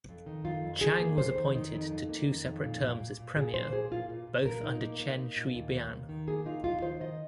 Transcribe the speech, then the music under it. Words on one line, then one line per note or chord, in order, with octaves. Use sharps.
Chang was appointed to two separate terms as Premier, both under Chen Shui-bian.
F2
D#3
F2 F4
F2
D#3 G#4
A#3
F2 C5
D#3
D#3 D#4
F2
F2
A#3
D#3
F2
A#2
A#2
A#2
A#2
A#2 G#4
A#2 C5
A#3 G#4
A#2 F4
A#2
A#2
A#2 A#4
D#4
A#3
A#3
D#4
A#2
D#2
A#3
D#2
D#3
A#3 G#4
D#4 F4
D#2 F4
D#3 C5
D#3 D#5